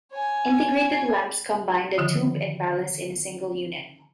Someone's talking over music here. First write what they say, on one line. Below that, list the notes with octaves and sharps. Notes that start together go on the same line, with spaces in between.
Integrated lamps combine the tube and ballast in a single unit.
C#5 G#5
D3 D#3 F3 F4 D#6